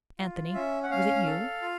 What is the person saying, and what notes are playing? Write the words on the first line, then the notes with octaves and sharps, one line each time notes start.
"Anthony, was it you?"
F4
C#4 E5
F#5
C#4 F5
A4
F4